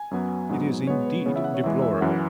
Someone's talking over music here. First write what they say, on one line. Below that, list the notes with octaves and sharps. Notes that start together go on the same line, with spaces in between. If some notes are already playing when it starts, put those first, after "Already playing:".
It is indeed deplorable.
Already playing: G#5
F#2 F#3 B3
G#2 F#3 B3
B2 G#3 B3 C#5
B4
C#3 E3 B3 C#5
E5
F#5
C#5
E2 E3 G#3 E5
E5
F#2 E3 C#4 F#5